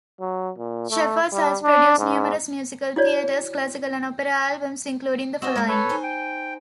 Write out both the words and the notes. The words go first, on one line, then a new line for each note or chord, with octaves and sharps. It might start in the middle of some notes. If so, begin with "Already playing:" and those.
Shepard has produced numerous musical theatre, classical and opera albums, including the following.
F#3
A#2
A3
G3
D4
G#2
E4 F#4 C#5 D5
C4 F#4 C5 D#5 E6
G#3 C#4
A4 B4 C#5
D#4 C5 G#5
G5